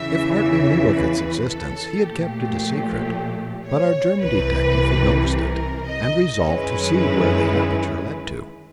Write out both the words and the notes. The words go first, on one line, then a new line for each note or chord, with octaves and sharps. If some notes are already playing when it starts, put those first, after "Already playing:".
If Hartly knew of its existence, he had kept it a secret, but our German detective had noticed it, and resolved to see where the aperture led to.
Already playing: E2 C#3 E3 E5
E5
B4
A4
A#2 F3 A3 G4
C#5
C2 C3 E3 B4
A#4
D#5
F#2 D#3 G#3 C#4 E4 B4